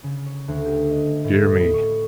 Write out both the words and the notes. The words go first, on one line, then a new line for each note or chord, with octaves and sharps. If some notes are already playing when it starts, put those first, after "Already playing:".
Dear me!
C#3
C#5
D2
G4
D#5
A2
D#6
B5
C#6